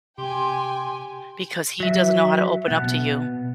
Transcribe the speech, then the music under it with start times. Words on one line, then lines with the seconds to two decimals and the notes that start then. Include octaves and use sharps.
because he doesn't know how to open up to you.
0.18 C3 G4 G5 G#5 C6
1.80 F#3 E5
2.68 B2 B3